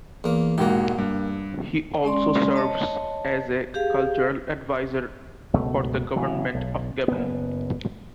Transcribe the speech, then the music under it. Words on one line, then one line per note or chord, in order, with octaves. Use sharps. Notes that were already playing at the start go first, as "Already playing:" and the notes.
He also serves as a cultural advisor for the government of Gabon.
E2 A#3
E1 G#2 A#3 F#4 G4
G2
G#3 C#4 D5 C6
C#5 D#5 A5
G4 G#4 F5
F#1 C#2 B2 A3
A1 C#3 F#3
B1
F#1 B3